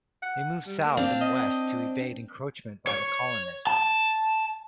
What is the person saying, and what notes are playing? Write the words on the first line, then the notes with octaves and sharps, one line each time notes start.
They moved south and west to evade encroachment by the colonists.
F#5
G3
A#3
C4 D4 F5
D#5
C#5
A5